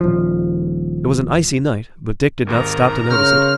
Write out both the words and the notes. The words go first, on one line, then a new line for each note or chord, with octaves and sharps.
It was an icy night, but Dick did not stop to notice it.
D#1 F3
G#1 D#2 G#2 A#4 A#5
C#3 C6 C#6 F6 G6